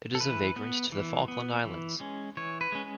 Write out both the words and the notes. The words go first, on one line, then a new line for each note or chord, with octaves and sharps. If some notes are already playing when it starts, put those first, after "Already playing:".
It is a vagrant to the Falkland Islands.
A4
E3 B4
B3
E3
B3
E3
G#3 C#4
E3 C#5
B4
G#3 C#4